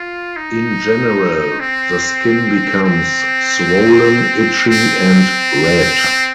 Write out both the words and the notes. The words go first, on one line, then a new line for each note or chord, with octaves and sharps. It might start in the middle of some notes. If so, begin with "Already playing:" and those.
In general, the skin becomes swollen, itchy and red.
Already playing: F4
D#4
C4
C4
C4